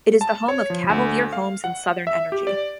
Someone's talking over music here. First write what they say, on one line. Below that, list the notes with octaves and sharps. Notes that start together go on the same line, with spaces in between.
It is the home of Cavalier Homes and Southern Energy.
A5
C#5
F3
D2
F5
F#5
E5
G4
D5